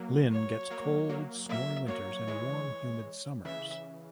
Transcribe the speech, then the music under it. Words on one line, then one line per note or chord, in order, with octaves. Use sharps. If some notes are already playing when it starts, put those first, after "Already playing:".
Lynn gets cold, snowy winters and warm, humid summers.
Already playing: F#3 A#3
C#5
F#3 A#3
F#3 A#3
F#3 A#3 E5
F#3 A#3 C#5
E3 G#3
C#3 E3 E5